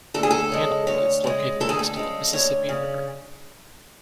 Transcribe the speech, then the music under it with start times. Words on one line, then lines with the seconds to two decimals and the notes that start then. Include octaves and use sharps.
Hannibal is located next to the Mississippi River.
0.14 D2 A4
0.23 G#4
0.31 A4
0.52 C#3 G#3
0.87 D2 C#5
1.24 C#3 G#3
1.60 D2 A4
1.69 G#4
1.79 A4
1.96 C#3 G#3
2.33 D2 C#5
2.69 C#3